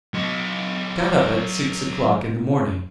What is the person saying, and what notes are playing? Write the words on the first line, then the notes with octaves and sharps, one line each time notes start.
I got up at six o'clock in the morning.
F#3 D#5